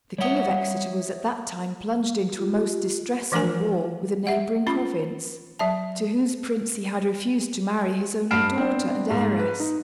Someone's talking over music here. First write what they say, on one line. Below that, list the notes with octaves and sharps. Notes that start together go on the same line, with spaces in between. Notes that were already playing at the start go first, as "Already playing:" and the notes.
The King of Exeter was at that time plunged into a most distressful war with a neighboring province, to whose prince he had refused to marry his only daughter and heiress.
G3 C#5 E5 F#5 D#6
F4 G4
E3 F3 A3 D4 A#4 G#5
E5 F#5
C#4 F4 B5
F#3 E5 A5
G2 B5 F6 C7 D7 E7
B3 C4 D4
G#2
B4
D#4